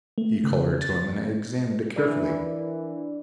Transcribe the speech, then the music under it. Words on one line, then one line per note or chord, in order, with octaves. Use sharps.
He called her to him and examined it carefully.
A3
C#3
A6
E3 D4 A#4 D5